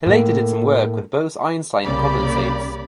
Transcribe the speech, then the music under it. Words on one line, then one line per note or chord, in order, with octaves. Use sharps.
He later did some work with Bose-Einstein condensates.
A2 A#3
C2 C#3 A#3 G4 D5 B5